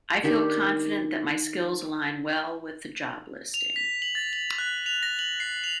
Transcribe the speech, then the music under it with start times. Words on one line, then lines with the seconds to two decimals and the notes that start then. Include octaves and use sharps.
I feel confident that my skills align well with the job listing.
0.23 D#3 D4 G4 A4
3.54 F7
3.76 B6
4.02 F#7
4.15 A6
4.33 F#7
4.58 F#6
4.86 F7
5.03 A#6
5.19 F#7
5.40 C7
5.64 F7